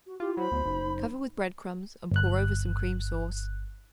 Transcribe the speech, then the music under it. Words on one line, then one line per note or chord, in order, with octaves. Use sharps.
Cover with bread-crumbs and pour over some cream sauce.
F#4
E4 F4 G4
F#3 C5 B5
D2 B3
F#1 D#4
G1 F#6